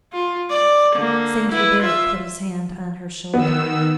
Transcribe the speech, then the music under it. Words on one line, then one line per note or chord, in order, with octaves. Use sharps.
Saint Hubert put his hand on her shoulder.
F4
D5
D3 A#3
E4 B4
F4 E5
D#3 B3 E6